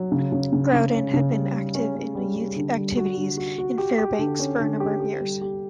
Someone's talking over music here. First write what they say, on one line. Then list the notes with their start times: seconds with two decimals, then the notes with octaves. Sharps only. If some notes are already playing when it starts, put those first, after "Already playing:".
Growden had been active in youth activities in Fairbanks for a number of years.
Already playing: F#3
0.12 C#3
0.32 C#3
0.52 C#3
0.73 C#3
0.93 C#4
1.14 C#3
1.34 G3
1.54 G3
1.75 C#4
1.95 C#4
2.15 G3
2.36 G3
2.56 D3
2.77 G3
2.97 F#4
3.17 D3
3.37 F#4
3.58 F#4
3.78 G4
3.98 G4
4.19 D3
4.39 C#4
4.60 D3
4.80 G4
5.00 G4
5.21 G3
5.41 G4